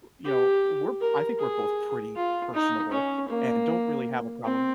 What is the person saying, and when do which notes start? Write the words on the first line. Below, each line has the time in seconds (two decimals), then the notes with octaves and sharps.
we you know, we're I think we're both pretty personable and don't really have a problem,
0.25 G4
1.01 A#4
1.39 G#4
2.16 F4
2.54 D#4
2.92 C#4
3.29 A#3
4.44 C4